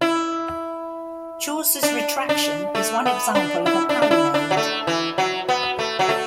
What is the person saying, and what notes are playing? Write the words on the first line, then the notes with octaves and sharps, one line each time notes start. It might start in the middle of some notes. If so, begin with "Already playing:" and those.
Chaucer's Retraction is one example of a palinode.
E4
D4
D4
A3
B3
D4
E4
D4
D4
E4
D4
F#3
A3
E3
F#3
B3
A3
F#3
A3